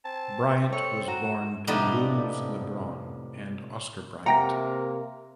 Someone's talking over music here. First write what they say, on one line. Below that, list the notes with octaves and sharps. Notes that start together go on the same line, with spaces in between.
Bryant was born to Luz Lebron and Oscar Bryant.
C4 A5
A4 C#5 C#7
F#4 A#5 E7
A2 C3 F3 B3 D4 D#4
C3 A#3 F#5 G5 A#5 A#6